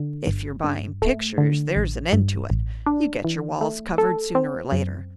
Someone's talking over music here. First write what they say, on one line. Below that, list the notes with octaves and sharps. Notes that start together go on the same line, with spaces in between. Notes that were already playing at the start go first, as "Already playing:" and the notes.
If you're buying pictures, there's an end to it--you get your walls covered sooner or later.
Already playing: D3
G1
G2
A3
D3
A1
G2
A1
D4
E3
A3
A4
C4
F#2